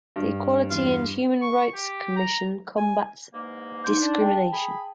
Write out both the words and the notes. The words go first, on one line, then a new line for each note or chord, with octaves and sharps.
The Equality and Human Rights Commission combats discrimination.
G2
E2 F4
C#6
G4
A#5
G#5
E2 G#2 A#3
D#4 C6 G6
D4
G5 A5
G#4 B5